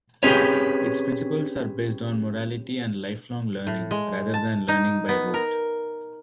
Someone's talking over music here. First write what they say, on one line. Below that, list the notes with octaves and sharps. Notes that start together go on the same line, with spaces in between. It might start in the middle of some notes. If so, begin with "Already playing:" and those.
Its principles are based on morality and lifelong learning, rather than learning by rote.
C4 C#4 G4 G#4 B4 C#5
A2
G#3
A5
D#4
B3
A#4